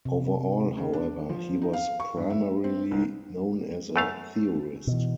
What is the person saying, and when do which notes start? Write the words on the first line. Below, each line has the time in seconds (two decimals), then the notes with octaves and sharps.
Overall, however, he was primarily known as a theorist.
0.05 C3
0.77 C#3
0.93 D4
1.29 F3
1.62 D#4
1.73 F5
2.00 C#6
2.17 G2
2.30 E5
2.64 C4
2.91 C2
3.96 F#2 A3 F5
4.87 B2 E3